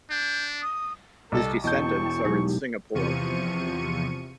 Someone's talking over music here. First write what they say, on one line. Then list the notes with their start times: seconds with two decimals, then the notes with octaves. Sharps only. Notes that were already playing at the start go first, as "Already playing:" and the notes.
His descendants are in Singapore.
0.11 D4 G6
0.62 D#6
1.32 C2 A4 D#5
1.64 E1 E4 D#5 G5 A5 C#6 G6
2.25 B2 F#3 G#3 D#4 E4 G4
2.94 E2 C3 F3 C#6 C#7 D#7